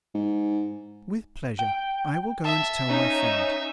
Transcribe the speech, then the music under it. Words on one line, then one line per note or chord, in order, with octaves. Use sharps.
"With pleasure; I will go and tell my friend."
G#2
G5
E5 A5
C#4 D#4